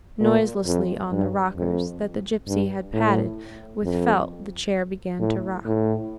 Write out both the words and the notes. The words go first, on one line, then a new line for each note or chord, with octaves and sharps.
Noiselessly on the rockers that the gipsy had padded with felt the chair began to rock.
A#2
F2
G2
F2
G2
A2
F2
A2
A2